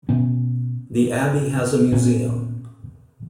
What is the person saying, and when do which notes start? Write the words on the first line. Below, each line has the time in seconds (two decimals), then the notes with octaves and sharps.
The Abbey has a museum.
0.09 B2 B3 C#4
1.92 A#2 B3 C#4